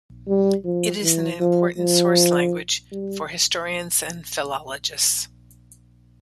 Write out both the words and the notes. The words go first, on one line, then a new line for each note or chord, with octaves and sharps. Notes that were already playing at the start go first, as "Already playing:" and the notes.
It is an important source language for historians and philologists.
G3
F3
E3
F3
F3
G3